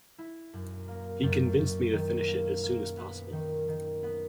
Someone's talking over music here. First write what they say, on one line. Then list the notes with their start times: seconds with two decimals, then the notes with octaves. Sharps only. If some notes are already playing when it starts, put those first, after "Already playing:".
He convinced me to finish it as soon as possible.
0.18 E4
0.53 F#2
0.88 A#3
1.23 F#2
1.58 F#2
1.93 D#3
2.27 A#3
2.63 A#3
2.97 B3
3.32 D#3
3.68 D#3
4.03 B3